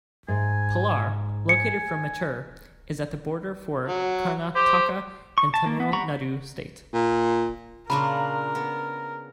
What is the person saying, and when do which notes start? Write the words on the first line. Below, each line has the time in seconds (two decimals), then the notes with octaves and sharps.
Palar, located from Mettur, is at the border for Karnataka and Tamil Nadu State.
0.28 G#2 G#5
1.49 G#5 C#7
3.88 F#3
4.56 G4 C5
5.38 C#6
5.54 A5
5.66 A#3
5.80 B3
5.93 G3 F#5 A#5 B5 C#6
6.94 A#2
7.90 A#2 C#3 D4 F4 A#4 A#5 B5 C#6
8.55 B3